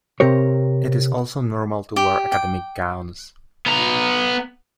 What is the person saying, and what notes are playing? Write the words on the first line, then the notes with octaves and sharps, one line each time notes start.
It is also normal to wear academic gowns.
C3 C4 G4 A#4 C#5
G4
G5
B3 A#5